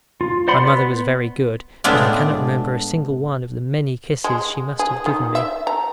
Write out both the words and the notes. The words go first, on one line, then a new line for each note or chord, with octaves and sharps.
My mother was very good, but I cannot remember a single one of the many kisses she must have given me.
F4
C5 D5 F#5 B5 C6
B3
A2 G#3 B3 D4 F4 D5
G#3
G#4
D#3
E5
A#5